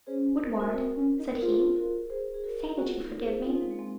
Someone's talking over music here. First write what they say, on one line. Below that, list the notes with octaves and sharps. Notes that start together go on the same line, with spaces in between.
Woodward,' said he, 'say that you forgive me.'
C#4 G#4 C5
A#4
C5
F#4 A#4
C4 F#4 A#4
C#4
D#4
A#4
F4 G#4 C5
F#4 A#4
G#4 C5
G#4
F#4 A#4
F4 F#4 G#4
D#4 F#4
A#4
G#4 C5
C4 D#4 F4
G#3
A#3
G#3 C4